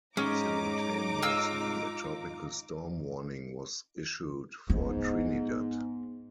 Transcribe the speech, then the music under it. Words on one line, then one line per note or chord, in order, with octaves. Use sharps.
Simultaneously, a tropical storm warning was issued for Trinidad.
G#2 G#3 C#4 D#4 A#5 D6
F4 E6
G#2 B3